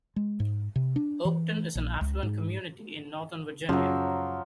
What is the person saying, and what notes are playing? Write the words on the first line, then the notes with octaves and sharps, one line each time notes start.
Oakton is an affluent community in Northern Virginia.
G#3
G#2
C3
D4
E3
A#1
C#2
G#2
F#2 C#3 F3 F#3